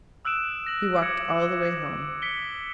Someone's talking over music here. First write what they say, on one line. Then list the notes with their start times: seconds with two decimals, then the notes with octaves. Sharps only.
He walked all the way home.
0.25 D#6 E6 F#6 D7 E7
0.67 A#6 F#7
1.02 D6 G#6 A#6 C#7
2.22 B6 C#7 D7 G7